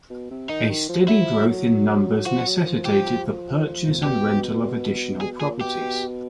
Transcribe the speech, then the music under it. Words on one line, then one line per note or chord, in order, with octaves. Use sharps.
A steady growth in numbers necessitated the purchase and rental of additional properties.
B2
C3
D#3 D#4
D#3
F3
F#3 E4
F3
F#3
F3 F#4
F#3
F3
G4
B2 G4
B2 G#4
A#2 G#4
B2 G4
B2